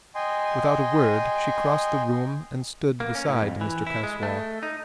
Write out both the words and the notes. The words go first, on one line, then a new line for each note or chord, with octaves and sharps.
Without a word she crossed the room and stood beside Mr. Caswall.
D#5 G5 G#5 C6
A#3
C#4
A2
F2
E3
E4
G#3
A3
D#4